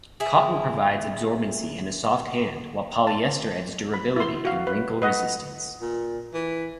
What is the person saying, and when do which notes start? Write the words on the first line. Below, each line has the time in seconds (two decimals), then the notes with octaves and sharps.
Cotton provides absorbency and a soft hand, while polyester adds durability and wrinkle resistance.
0.20 E4 G#4
3.07 A5
3.94 B5
4.16 E4 C6
4.45 F#4 F5
4.67 B4
5.02 B4 D#5 F#5
5.81 A#2
6.34 E3